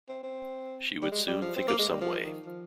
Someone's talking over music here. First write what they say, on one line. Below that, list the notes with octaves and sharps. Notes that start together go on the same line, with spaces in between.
She would soon think of some way.
C4
C4
G3
G#3
G3
F3
C4
A#3
G#3
G3
F3
D#3
F3